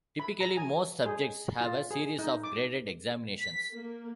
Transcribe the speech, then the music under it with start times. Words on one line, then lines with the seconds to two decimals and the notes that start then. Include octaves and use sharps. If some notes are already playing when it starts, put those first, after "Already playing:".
Typically, most subjects have a series of graded examinations.
0.20 B5
0.40 A#5
0.57 G#5
1.06 G#4
1.61 F4
1.91 G#4
2.19 D#4
2.43 D6
3.39 B6
3.73 A#3